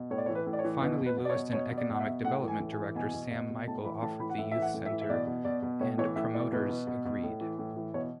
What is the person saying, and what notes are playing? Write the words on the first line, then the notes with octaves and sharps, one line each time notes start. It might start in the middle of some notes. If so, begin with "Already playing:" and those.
Finally Lewiston economic development director Sam Michael offered the Youth Center, and promoters agreed.
Already playing: B2
A2 C#5
D5
C#5
E3
B4
A2
D5
C#5
E3
B2 B4
B2
B4
B2
D5
C#5
B2
B2 C#5
B2
D5
B2
F#5
E5
B2
A2 F#5
E3
G#5
A2
G#5
E3
B2 G#5
B2
B2
B2
A2 A5
E3 B5
A2 A5
E3 B5
F#5
A2 E5
E3 E5
F#5
A2
E5
E3
E5
B2 D5
B2
B2 D5
B2
A2 C#5
E3 C#5
A2 E5
E3 D5
B2 B4
B2
B2
B2
A2
E3
A2
E3
B2 C#5